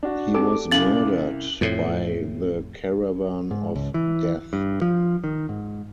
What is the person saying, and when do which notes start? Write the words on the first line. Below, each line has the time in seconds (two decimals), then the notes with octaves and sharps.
He was murdered by the Caravan of Death.
0.03 D4 F#4
0.34 C4 G4 A4 D6
0.71 C2 C#4 F5 A6 F#7
1.61 F2 A2
3.51 G#2
3.76 C#2
3.94 E3
4.53 G2
4.82 F3
5.24 D#3
5.49 G#2